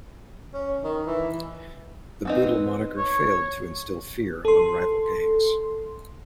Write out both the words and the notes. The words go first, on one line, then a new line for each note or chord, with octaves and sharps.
The Boodle moniker failed to instill fear among rival gangs.
C#4
D#3
E3
B3 C4 D#4
C#5
A4 C6